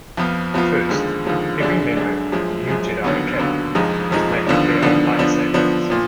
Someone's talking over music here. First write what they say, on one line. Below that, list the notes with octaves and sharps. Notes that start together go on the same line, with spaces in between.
First, every member of the New Jedi Academy must make their own lightsabers.
F2 F3 B3 F4
F2 F3 B3 F4
D#2 D3 F3 G#3
D#2 D3 F3 G#3
F#2 D3 G#3 D4
F#2 D3 G#3 D4
F#2 F3 G#3
F#2 F3 G#3
D#2 D3 F#3 B3
D#2 D3 F#3 B3
F1 F2 F3 G#3 D#4
F1 F2 F3 G#3 D#4
D#2 D3 F3 B3 D4
D#2 D3 F3 B3 D4
D3 F3 B3 D4
D3 F3 B3 D4
A#2 F3